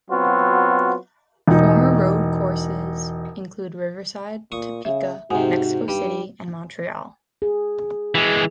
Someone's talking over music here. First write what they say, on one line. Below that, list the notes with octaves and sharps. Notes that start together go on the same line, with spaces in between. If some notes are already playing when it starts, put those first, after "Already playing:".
Former road courses include Riverside, Topeka, Mexico City, and Montreal.
F#3 B3 C4 F4 F#4
E1 D#4
A#2 C#6 D#6
C#3 E5
G#2 C3 D#4 F#4 F#5 G#5
G2 G3
G#4
E3 G#3